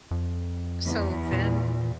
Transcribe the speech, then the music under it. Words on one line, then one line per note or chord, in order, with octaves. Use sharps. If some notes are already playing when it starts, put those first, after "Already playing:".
So then,
F2
E2
A#2